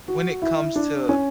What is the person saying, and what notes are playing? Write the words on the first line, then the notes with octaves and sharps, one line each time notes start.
when it comes to
F#4
E4
D4
C#4